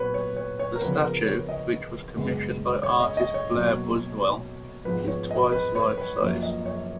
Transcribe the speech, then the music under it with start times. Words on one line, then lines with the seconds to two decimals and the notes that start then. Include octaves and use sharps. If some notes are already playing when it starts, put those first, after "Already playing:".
The statue, which was commissioned by artist Blair Buswell, is twice life-size.
Already playing: A#2 F#3 B3 B4 C#5
0.14 C#5
0.36 C#5
0.59 C#5
0.75 A#4
0.82 C#3 F3 B3 B4
1.04 A#4
1.26 C#5
1.49 D#5
2.16 F#2 C#3 G#3 B3
2.83 C#5
3.00 D#5
3.17 D#5
3.34 C#5
3.50 B2 F#3 A#3
4.85 G#2 F3 G#3 B3 B4
5.08 C#5
5.31 D#5
5.52 B4
5.75 C#5
5.98 B4
6.20 F#2 F3 A#3 C#5
6.43 D#5
6.66 C#5